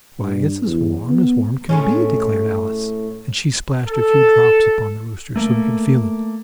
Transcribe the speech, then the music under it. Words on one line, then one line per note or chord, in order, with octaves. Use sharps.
"Why, it's as warm as warm can be," declared Alice, and she splashed a few drops upon the rooster, so he could feel it.
G2
E2
B3
A2 G#3 C#4
A4
A3 A#3